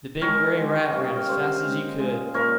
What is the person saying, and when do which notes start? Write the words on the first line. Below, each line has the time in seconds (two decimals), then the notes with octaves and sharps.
The big grey rat ran as fast as he could.
0.21 D#3 G#3 A#4 C#5
0.57 D#3 G#3
0.92 C#3 G3 A#3 C#5 F5
1.04 D#5 G5
1.16 C#5 F5
1.28 C#3 G3 A#3 C5 D#5
1.63 A#2 G#3
1.99 A#2 G#3
2.34 A#2 F3 A#3 A#4 C#5